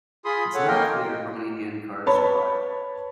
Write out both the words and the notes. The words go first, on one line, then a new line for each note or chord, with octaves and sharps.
It is not clear how many handcars survived.
F4 G#4 B5 C6 D#6
A4 C#5 F#5
A#3 A#4 D#5 G5 C6
B4 C#5 A5 B5